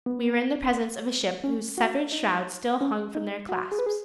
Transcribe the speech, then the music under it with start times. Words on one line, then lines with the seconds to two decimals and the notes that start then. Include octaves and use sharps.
We were in the presence of a ship whose severed shrouds still hung from their clasps.
0.06 B3
1.44 C#4
1.78 F#4
2.12 D#4
2.81 C#4
3.15 D#4
3.49 F#4
3.72 G#4
3.79 B4
3.86 G#4